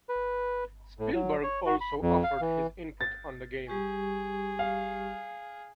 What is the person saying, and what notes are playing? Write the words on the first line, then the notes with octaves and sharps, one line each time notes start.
Spielberg also offered his input on the game.
B4
A2
F#3
C#5
F#4
B5
F2
F5
E3
A6
G3 G4 G#4 C#6
F5